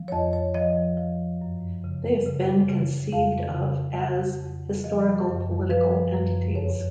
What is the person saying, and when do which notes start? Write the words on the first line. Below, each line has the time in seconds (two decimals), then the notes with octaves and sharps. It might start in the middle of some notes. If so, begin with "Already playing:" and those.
They have been conceived of as "historical-political entities".
Already playing: F3
0.08 C#5
0.12 F2 D#5
0.33 C#5
0.54 F3 D#5
0.97 F3
1.41 F#2
1.84 C#3
2.26 C#3
2.69 C#3
3.12 F2 F5
3.55 C#3
3.98 C#3 F#5
4.41 F2
4.84 F3 D#5
5.27 F#2
5.70 F3 B4
6.13 F#2
6.55 F2 C#5